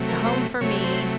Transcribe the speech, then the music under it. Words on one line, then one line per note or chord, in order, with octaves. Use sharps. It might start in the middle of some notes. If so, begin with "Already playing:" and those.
the home for me
Already playing: C3 F#3 A3
A#4
C5
C3 F#3 A3 C#5
C5